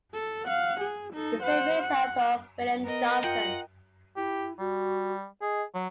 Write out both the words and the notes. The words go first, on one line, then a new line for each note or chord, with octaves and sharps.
The same may said of William Johnson.
A4
F5 F#5
G#4
D#4 A4
C5 F#5
F#5
B3 A#4 D#5
F4 F#5 G5
E4 G4
G3 F#4
G#4 D#5
F#3 C#5